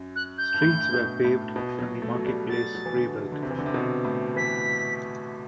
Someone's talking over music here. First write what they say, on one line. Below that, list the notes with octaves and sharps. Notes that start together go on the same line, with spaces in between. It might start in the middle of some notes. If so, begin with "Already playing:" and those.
Streets were paved and the marketplace rebuilt.
Already playing: F#2
F#6
G6
G2
A2
B2
A2
B2
F#3
A3
F#3
G3
F#3 A6
F#3
E3
D3
D3
C3
E3
D3
C3
B2
A2
E3 B6